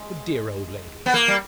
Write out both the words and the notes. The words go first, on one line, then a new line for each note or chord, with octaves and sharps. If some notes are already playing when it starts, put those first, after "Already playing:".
The dear old lady!
Already playing: G#3
B3
A#3
G3